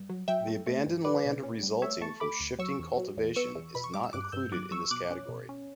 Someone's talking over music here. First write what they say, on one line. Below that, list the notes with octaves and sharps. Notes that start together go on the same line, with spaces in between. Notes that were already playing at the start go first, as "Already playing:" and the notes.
The abandoned land resulting from shifting cultivation is not included in this category.
Already playing: G2
F#3
F#3 E5 G5
A3
A3
G2
G3 B4 D5
B2
C#4
G3
A3 C#5 E5
A3 A5 C#6
A3 B5 D6
D2
F#3 C#6 E6
E2
F#3
E2
B3 C#6 E6
E2
B2 B5
C#6
G3 D6
E6
G2 D6 F#6
G2 E6 G6
F#3 D6 F#6
F#3 C#6 E6
B2 D6 F#6
C#4
B2
C#4